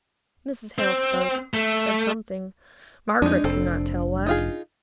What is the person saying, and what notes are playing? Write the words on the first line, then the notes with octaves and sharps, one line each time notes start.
Mrs. Hale spoke--said something--Margaret could not tell what.
C4
A3
F2 G#3 D4 D#4
F1 C4 A4
D#4 F4 G#4